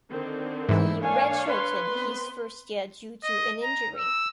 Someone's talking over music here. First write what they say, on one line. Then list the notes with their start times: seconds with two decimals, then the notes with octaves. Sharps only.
He redshirted his first year due to an injury.
0.10 D3 D#3 C4
0.69 G#2 E3 E4
1.01 A#3 D4 C#5 F5 G#5
1.47 B4 C6
1.90 B3 C4
3.24 D#5
3.63 A#5
3.96 E6